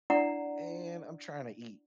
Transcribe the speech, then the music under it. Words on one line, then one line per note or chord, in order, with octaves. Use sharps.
"Man, I'm tryna eat
D4 E4 D5 F#5 A#5